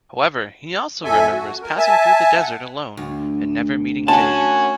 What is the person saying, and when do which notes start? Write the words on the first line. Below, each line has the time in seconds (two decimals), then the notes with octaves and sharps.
However, he also remembers passing through the desert alone and never meeting Jake.
1.04 F2 A4 E5 G#5
1.33 F#4
1.63 A#4
1.77 E5 G#5 A5
2.39 F#5
2.97 D2
4.08 C#4 F#4 G#5 A5